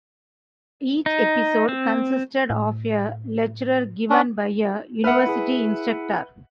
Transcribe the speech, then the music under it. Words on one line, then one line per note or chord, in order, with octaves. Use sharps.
Each episode consisted of a lecture given by a university instructor.
D#4
C4
A2
C#4 D4
A#4 B4 E5 F#5 F6
E4 G#4